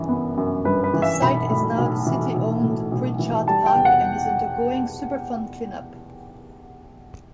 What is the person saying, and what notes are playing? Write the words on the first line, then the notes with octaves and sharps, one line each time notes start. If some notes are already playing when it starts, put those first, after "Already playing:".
The site is now the city-owned Pritchard Park and is undergoing Superfund clean-up.
Already playing: G1 F#2 E3
B3
F#2
G1 B4
B4
E3
E5
B1 B5
A2
B1
E3
B1
A2
B1
E3
G3 A5
G5
E2
F#5